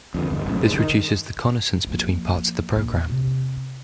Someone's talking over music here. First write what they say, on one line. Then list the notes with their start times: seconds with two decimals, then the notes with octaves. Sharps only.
This reduces the connascence between parts of the program.
0.15 F2 D3
0.30 G1 E2 G2
0.45 F1 F#2 A2
0.60 G#2
0.74 D3 D#3
1.87 F3 A#3
2.76 A#1 F4
3.10 C3